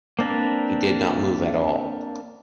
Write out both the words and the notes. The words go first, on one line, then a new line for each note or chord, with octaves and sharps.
He did not move at all.
A#3 C4 D4 A#4 B4